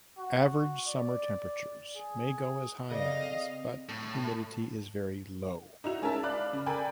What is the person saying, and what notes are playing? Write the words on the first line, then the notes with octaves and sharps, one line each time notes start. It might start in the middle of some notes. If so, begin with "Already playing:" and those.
Average summer temperatures may go as high as but humidity is very low.
F#4
D5
G#4
C#3 C4 A4 D5 D#5 F5
A2
D#4 E4 F#4 F7
G#3 C#4 G#4 A#4 E5 A5
D5 F5 B5 D6 F6 F#6
C#3
A4 A#4 D5 G5 G#5 B5